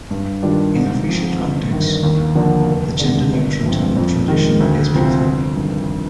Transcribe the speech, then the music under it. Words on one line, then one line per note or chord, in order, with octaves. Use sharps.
In official contexts the gender-neutral term "tradition" is preferred.
G2
D#3 G3 D4 F4
G#2
F3 C4
G1
G2 D#3
D#2
D3 F3 A#3 D4
F1
D#2 D3 G#3 D4
G1
G2 F3 C4
F2
D#3 G#3
D2
C3 F3 C4 F4
G1
G2 D#3